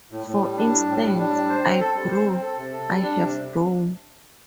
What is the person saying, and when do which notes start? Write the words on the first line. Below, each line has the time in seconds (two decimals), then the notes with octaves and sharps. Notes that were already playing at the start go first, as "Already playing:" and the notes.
For instance 'I grow' : 'I have grown'.
0.11 A2
0.27 A2
0.42 G3
0.57 D4
0.73 A2
0.88 A2
1.03 G3
1.19 D4
1.34 G3
1.49 C5
1.65 C4
1.80 A4
1.95 G3
2.11 C5
2.26 C4
2.42 A4
2.57 C3
2.72 A4
2.87 G3
3.03 D4
3.18 C3